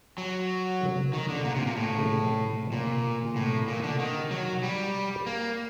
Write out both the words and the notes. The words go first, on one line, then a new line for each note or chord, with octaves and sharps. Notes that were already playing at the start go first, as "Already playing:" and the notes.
During the season, Gilbride was diagnosed with a rare form of Kidney Cancer.
F#3
D#3
D3
A#2
C3
A#2
A2
A#2
A2
A#2
D3
D#3
F#3
G3
A#3